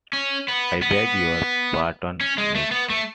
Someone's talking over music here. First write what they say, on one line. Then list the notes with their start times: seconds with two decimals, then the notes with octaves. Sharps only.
I beg your pardon, miss!
0.13 C#4
0.48 B3
0.82 B3
2.21 C#4
2.38 G#3
2.55 A3
2.72 B3
2.90 A3